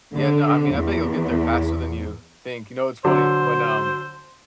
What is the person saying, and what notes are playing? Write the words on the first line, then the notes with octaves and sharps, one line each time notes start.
Yeah, no, I mean, I bet you'll get there faster than you think, you know, it's funny, when, um,
D3
E2
D3 F#3 C5